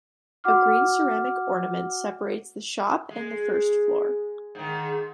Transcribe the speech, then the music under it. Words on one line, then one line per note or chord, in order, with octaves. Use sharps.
A green ceramic ornament separates the shop and the first floor.
F#4 F#5 D6 F6
G#3
G#2 D#3